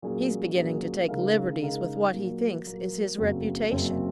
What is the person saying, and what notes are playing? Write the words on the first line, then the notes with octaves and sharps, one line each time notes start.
He's beginning to take liberties with what he thinks is his reputation.'
A#2 F#3 C#4 G#4
A#2 F#3 C#4 G#4
C#3 G#3 D#4 A#4 F5
C#3 G#3 D#4 A#4 F5
A#2 F#3 A#3
A#2 F#3 A#3
F#1 F#2 C#3 F#3 C4
F#1 F#2 C#3 F#3 C4